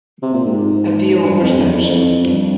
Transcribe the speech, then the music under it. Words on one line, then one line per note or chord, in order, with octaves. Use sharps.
A view on perception.
C3
A#2
G#2
G2
F2
E2
F2
E2
F2
G2